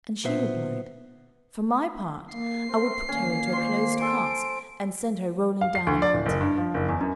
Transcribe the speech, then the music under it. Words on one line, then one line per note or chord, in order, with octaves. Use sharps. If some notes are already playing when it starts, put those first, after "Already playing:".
And she replied, "For my part, I would put her into a closed cask, and send her rolling down a mountain."
B1 A#2 B3 C5 E5
A#3 C7
C4 A#4 C6
A#2 D#3 A#3 C#4
C5 C6
A4 G#5 C6 D7
F5
C7
D2
D5
D1
F#1
G2
F3
F#1
E2
F#2